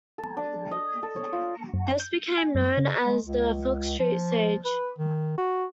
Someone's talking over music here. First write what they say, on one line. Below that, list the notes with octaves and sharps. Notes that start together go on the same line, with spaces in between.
This became known as the Fox Street Siege.
A4
D4
D#5
A4
C#5
F4
F#2
G6
G#5
F#2
C#3
G#3
C#2
F3
B4
D#3
F#4